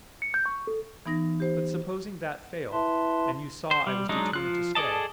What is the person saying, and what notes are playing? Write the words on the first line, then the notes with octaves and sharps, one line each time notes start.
But supposing that failed, and you saw I was determined to stay?
C#7
G6
C#6
A4
E3 B3 D#4 A#6
G4 C5
E4 B4 E5 A5 C6
C5
G3
F#3 G#3 D4 D#4
F3 F4 F#6
G#4 A4 D5 D#5 A5